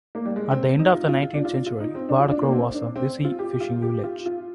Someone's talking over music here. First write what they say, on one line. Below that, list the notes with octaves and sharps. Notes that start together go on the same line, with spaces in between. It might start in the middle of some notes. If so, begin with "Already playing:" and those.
At the end of the nineteenth century, Badachro was a busy fishing village.
A#3
G3
G#3
C4
D#4
F4
F4
F4
D4
F4
F4
D#4
C4
D4
F4
D4
A#3
C4
D4
C4
F4
G4
F4
G4
F4
F4